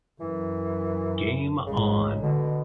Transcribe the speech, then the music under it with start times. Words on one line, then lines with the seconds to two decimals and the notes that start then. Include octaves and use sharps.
Game On!
0.20 F#2 E3
1.66 A1 G#2 C#3
2.23 B2 D3